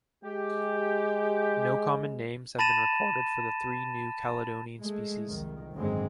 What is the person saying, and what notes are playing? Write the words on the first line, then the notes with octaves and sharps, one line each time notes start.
No common names have been recorded for the three New Caledonian species.
G#3 G4
A5 B5 A6 A#6 D#7 E7
G#3 A3
C2 F2 D#3
G#1 F#2 D3 G#3 C4